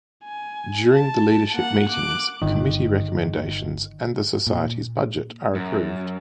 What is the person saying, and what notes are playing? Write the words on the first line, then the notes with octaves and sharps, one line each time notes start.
During the Leadership Meetings committee recommendations and the society's budget are approved.
G#5
A5
A#3 F#5
D6 F#6
G1 D#3
A#2
F#2